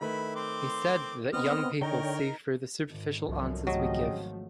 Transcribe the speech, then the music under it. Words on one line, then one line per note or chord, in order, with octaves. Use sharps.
He said that young people "see through the superficial answers we give".
D#3 A3 E4 B4 B5
C4 C6 D6
B3 C4 D#5 F6
D3 D#4 A#4 C#5 G5 A#5 G7
G#1
C2 F#2 D3 F3
G#1 C#3 F3 F#3 A3 G4 D#5